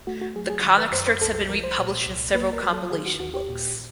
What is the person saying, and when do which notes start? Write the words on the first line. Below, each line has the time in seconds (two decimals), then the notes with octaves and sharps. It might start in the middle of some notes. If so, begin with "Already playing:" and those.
The comic strips have been republished in several compilation books.
0.07 A3 F#4
0.21 F#4
0.35 F#3 G#4
0.50 G#4
0.63 D#3
0.78 B4
0.92 F#2 C5
1.07 C5
1.21 C2 A4
1.35 A4
1.49 F3 A#4
1.64 C5
1.78 A#2
2.06 C2
2.34 A#3 B4
2.53 A#4
2.63 F#3
2.73 A4
2.91 D#3 G#4
3.06 F#4
3.20 D#2 F#4
3.34 G4
3.49 A#2